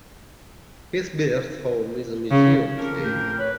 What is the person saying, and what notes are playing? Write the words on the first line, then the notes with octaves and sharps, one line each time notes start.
His birth home is a museum today.
C#3
F2 A#3 A#4
A2 G5
B4 C#5